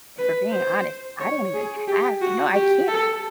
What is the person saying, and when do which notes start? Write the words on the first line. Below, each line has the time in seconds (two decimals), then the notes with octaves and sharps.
If we're being honest, I don't even have no, I can't,
0.18 B4
0.52 C5
1.20 C#5
1.54 G#4
1.88 G4
2.21 F#4
2.55 G4
2.88 A4